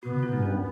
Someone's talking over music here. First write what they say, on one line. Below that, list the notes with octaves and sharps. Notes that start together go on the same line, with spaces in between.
Oh, man.
B3 F#4
F4
D#4
C#4